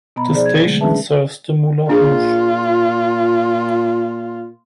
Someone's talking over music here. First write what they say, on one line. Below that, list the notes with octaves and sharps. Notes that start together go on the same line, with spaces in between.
The station serves the Moulin Rouge.
B2 B3 D#5 A#5 B5
F3 D#4 G#4 C5 D5
G#6
D3 F#3 G#3 A3
C#4 D4 G#4 B4 E5 A5
A#2 D4 F4 G#4